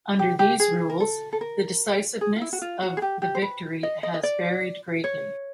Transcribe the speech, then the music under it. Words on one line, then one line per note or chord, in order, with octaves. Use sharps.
Under these rules, the decisiveness of the victory has varied greatly.
G4
G4
G#4
A#4
A4
A4
A#4
G#4
F4
E4
F#4
F4
F#4
G#4
G4
G4
C5
B4
D#5
D#5
D#5
D5
C#5